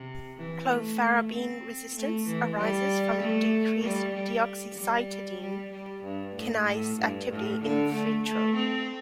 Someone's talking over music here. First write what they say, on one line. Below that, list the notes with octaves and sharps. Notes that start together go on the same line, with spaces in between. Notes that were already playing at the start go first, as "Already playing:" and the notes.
Clofarabine-resistance arises from decreased deoxycytidine kinase activity in vitro.
Already playing: C3
E3
A3
C4
A3
E3
G3
A3
G3
G3
G3
G3
G3
G2
A2
A2
G2
A2
D3
A3
A3
C4